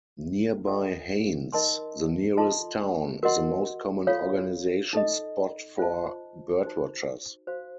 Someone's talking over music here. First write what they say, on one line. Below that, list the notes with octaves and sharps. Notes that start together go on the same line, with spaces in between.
Nearby Haines, the nearest town, is the most common organization spot for birdwatchers.
F4 A4 D#5 F#5
D#4 A#4 D#5 A5 C6
F4 A4 D#5 A5 C6
F#4 A#4 D#5 F#5 C6
F4 A4 C#5 F5
D#4 A4 D#5
F4 C5 D#5 A5
D#4 F#4 C5
F#4 C5 F5